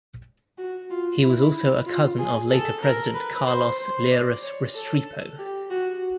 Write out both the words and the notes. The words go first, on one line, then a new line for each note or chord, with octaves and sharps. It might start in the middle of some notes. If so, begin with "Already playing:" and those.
He was also a cousin of later president Carlos Lleras Restrepo.
F#4
F4
E4
F4
G#4
A4
A#4
B4
C5
C5
D5
C#5
A4
G4
F#4